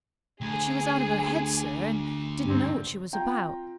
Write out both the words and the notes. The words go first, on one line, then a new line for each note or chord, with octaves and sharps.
But she was out of her head, sir, and didn't know what she was about.
D2 G#4
G2 C4
C4 F4 G5 A#5